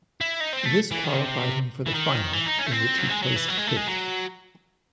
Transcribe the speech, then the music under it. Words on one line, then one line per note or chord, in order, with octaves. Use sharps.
This qualified him for the final, in which he placed fifth.
E4
D#4
C4
A3
E3
D#3
C3
E3
D#3
E3
D#4
C#4
A3
C4
F#3
G#3
F#3
E3
F#3
G#3
A3
G#3
F#3